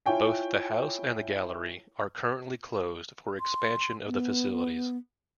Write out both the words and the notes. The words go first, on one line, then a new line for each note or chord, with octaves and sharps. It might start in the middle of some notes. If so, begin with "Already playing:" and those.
Both the house and gallery are currently closed for expansion of the facilities.
E4 F4 C#5 G5 G#5
C6
B3